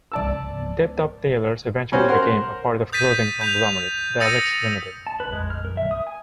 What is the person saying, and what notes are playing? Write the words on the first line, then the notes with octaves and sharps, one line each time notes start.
Tip Top Tailors eventually became a part of clothing conglomerate Dylex Limited.
D5 A5 E6
G3 C#4 F#4 C5
A#4 C5 F#5 C6
D#6 G6 A6 B6 D#7
G6 B6 F7
D#6 E6 A6 A#6 C#7 D#7
A5
B4
G#3
F6
A#4
E5
D#6
G#5